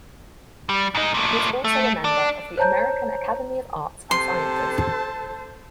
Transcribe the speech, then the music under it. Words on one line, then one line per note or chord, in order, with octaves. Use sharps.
He is also a member of the American Academy of Arts and Sciences.
G3
G#2 D#4
A#2 A3
A3
D4
C5 C#5 A5 A#5 G6
C3 A4 C5 A5 C6